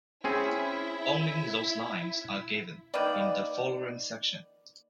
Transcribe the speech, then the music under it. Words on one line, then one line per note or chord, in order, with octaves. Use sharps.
Only those lines are given in the following section.
C4 C#4 E4 G#4
D#3 A#3 B4 D5